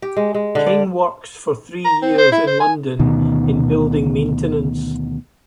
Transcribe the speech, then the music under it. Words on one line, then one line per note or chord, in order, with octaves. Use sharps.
King worked for three years in London in building maintenance.
G4
G#3
G#3
D3
D5
A#5
C4
C5
E4
C5
G#5
D2 B2 D#3